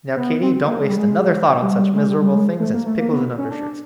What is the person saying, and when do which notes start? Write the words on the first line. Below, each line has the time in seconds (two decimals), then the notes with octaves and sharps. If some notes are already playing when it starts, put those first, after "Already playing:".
Now, Katy, don't waste another thought on such miserable things as pickles and undershirts.
0.17 B3
0.42 C4
0.68 A#3
0.81 G#3
0.89 G3
0.97 G#3
1.62 G3
1.79 G3
1.96 G#3
2.10 G3
2.22 G3
2.35 G#3
2.60 A3
2.73 A#3
2.86 A3
2.99 A#3
3.12 B3
3.38 C#4
3.51 D4